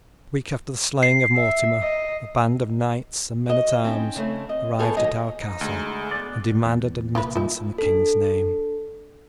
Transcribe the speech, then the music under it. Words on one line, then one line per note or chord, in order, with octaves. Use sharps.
A week after the slaying of Mortimer a band of knights and men-at-arms arrived at our castle and demanded admittance in the king's name.
C7
E5
D#5
F#4 D#5
C4 C#4 D#4
C#3 A3 C4
D#5
B3 F4 G#4 A4 C5 C#5
D#2 F#3 D#4 D#5
D#4
D2 G#3
B3 D5
E2
C2 A#2 A#3 E4 F4 B4
D#4 F4 E5 G#5
D4 A4